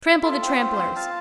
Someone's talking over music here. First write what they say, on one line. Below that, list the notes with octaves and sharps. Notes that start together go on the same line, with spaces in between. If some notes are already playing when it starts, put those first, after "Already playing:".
Trample the trampellers.
F4 A4
C4
C5
F4
C5
C4
F4 F5 A5